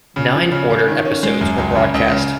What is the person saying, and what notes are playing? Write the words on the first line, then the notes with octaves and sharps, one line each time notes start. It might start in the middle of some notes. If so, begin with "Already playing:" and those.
Nine ordered episodes were broadcast.
C#3
F3
C#3
C#3
D#3
C#4
G#3
F#2
C#2
C#3
C#2
C#3